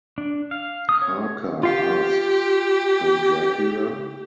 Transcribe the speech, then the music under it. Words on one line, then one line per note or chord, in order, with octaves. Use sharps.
Harker asks, Count Dracula?
D4
F5
D#6
C#5
F4 G4 F5